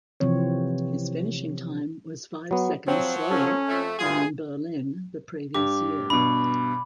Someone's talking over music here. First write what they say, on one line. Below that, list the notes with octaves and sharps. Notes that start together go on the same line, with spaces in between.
His finishing time was five seconds slower than in Berlin the previous year.
C3 E3 F3 C4 C#5
F#3 B3
F3 F#3 C4
C#4 A4
F2 A3
D2 G2 F4 G#4
G2 G4 D6
G2 B2 B5